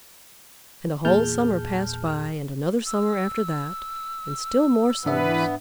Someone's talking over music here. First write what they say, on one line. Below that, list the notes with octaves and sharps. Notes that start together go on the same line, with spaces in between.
And the whole summer passed by, and another summer after that, and still more summers.
E2 A#2 G#4 A5 F6 G6
E6
G#2 E3 B3 D4 B4 E5